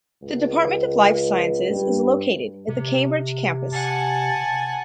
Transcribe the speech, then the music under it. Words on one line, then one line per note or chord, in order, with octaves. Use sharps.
The Department of Life Sciences is located at the Cambridge campus.
C#2
G2
C3
F#5 G#5 A5